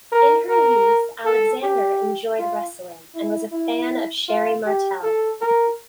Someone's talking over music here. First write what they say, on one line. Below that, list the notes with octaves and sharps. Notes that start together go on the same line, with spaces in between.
In her youth, Alexander enjoyed wrestling and was a fan of Sherri Martel.
A#4
A#4
A4
G4
F4
E4
E4
F4
G4
A4
A#4